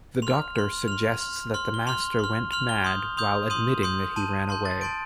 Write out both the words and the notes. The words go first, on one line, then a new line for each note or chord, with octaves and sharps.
The Doctor suggests that the Master went mad, while admitting that he ran away.
C6 F6 F7
C6 F6
C6 F6 F7
C6 F6
C6 F6
G7
C6 F6 F7
C6 F6
C6 F6 F7
G7
C6 D#6 G6
C6 D#6 G6 F7
C6 D#6 G6 D#7
C6 D#6 G6
A5 C6 G6 D#7
A5 C6 G6
A6
A5 C6 G6 D7